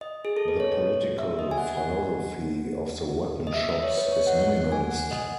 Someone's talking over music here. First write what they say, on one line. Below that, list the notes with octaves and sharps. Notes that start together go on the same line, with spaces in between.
The political philosophy of the Weapon Shops is minimalist.
D#5
G#4
A4
B4
C#5
E5
D#5
G#5
F#5
F#5
D#5
E5
D#5
C#5
B4
C#5
F#5
F#5
F#5
G#5
F#5
D#5